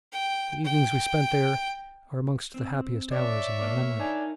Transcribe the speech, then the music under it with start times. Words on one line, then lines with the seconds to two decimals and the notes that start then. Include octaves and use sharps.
The evenings we spent there are amongst the happiest hours in my memory.
0.13 G5
0.64 G5
2.54 C4
3.11 D4 C#5 D5 E5
3.61 A#3
4.00 D4 D#4 A#4 G#5